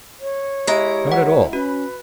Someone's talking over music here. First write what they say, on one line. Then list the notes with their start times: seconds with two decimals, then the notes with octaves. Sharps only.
Not at all.
0.20 C#5
0.67 G#3 E4 G4 A#5
1.12 F#5
1.53 C#4 F#4 B4